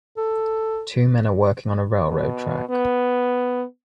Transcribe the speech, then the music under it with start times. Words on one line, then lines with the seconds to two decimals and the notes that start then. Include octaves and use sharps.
Two men are working on a railroad track.
0.17 A4
2.07 B2
2.69 B3